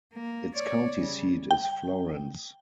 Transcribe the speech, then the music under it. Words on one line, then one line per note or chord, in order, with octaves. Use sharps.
Its county seat is Florence.
A#3
C#5 D5
C#3 G3
G5